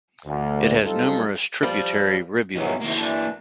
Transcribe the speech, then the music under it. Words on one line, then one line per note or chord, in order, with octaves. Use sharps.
It has numerous tributary rivulets.
D2
F#3 G3 C4 D#4 F4 A4
F3 G3
G2 E3 F#3 B3 D#4
C3 D#3 A#3 E4
E3 D4 A5